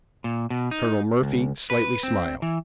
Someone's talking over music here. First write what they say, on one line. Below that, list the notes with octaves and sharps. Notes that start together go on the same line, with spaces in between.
Colonel Murphy slightly smiled.
A#2
B2
D#4
C#2
B4
C4
E3